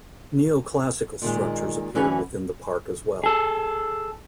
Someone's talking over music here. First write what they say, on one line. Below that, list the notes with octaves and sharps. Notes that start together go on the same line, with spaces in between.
Neoclassical structures appeared within the park as well.
A#2 D#3 G#3
D2 E3 C#4 F#4 B4 F#5
G#4 A4